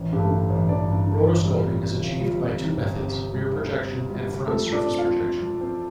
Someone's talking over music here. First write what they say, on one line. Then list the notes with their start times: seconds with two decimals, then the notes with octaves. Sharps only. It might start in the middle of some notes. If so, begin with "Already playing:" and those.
Rotoscoping is achieved by two methods, rear projection and front surface projection.
Already playing: A1
0.12 G2 G4
0.18 A3 A4
0.31 D3
0.50 A1
0.69 A1 D4 D5
0.88 G2
1.07 D3
1.26 A1
1.45 G3
1.64 F2
1.82 C3
2.01 G1
2.21 G3 F4
2.40 F2
2.59 C3
2.77 G1
2.96 C4 G4
3.15 C3
3.34 G3
3.53 D2
3.72 C4
3.90 C3
4.10 G3
4.29 D2
4.47 F2 A3 A4
4.66 F3
4.72 D4 D5
4.85 C4
4.98 F4 F5
5.04 F2
5.23 F2
5.42 F3
5.61 C4